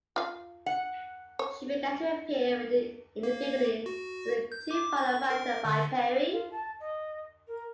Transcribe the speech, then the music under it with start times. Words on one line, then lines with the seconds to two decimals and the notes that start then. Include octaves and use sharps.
She began to appear in the beginning with the two-part "Avatar" by Perry.
0.16 F4 F5
0.66 F#5
1.39 C#5
3.23 A#3
3.86 F#4
4.52 G6
4.71 D6
4.97 C#6
5.30 A#4
5.65 D3
6.30 F4
6.51 A5
6.80 D#5
7.47 A#4